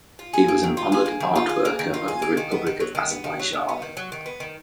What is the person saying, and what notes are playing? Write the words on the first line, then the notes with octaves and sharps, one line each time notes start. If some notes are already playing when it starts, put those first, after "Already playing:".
He was an Honored Art Worker of the Republic of Azerbaijan.
F4
G#4
A#3
D#3
F4
G#4
A#3
D#3
F4
G#4
A#3
D#3
F4
G#4
A#3
D#3
B3
D#3
F#3
D#3
B3
D#3
F#3
D#3
B3
D#3
F#3
D#3
B3
D#3